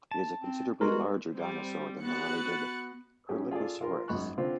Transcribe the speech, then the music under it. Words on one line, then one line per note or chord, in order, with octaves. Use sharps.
It is a considerably larger dinosaur than the related "Erlikosaurus".
A5
C4
G3 G#3 B3 F#4 A#4
G3 C4
B3 F#4 B4 F#6 A6 C#7
F#3 C#4 G4 G#4
F4 G#4 A4 D5
F4 A#4 C6
G#1 F#2 B5 C#6 F#6
D3 C4 F4 C5